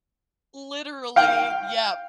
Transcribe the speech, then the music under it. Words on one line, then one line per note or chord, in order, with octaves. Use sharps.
Literally! Yep!
F5 G5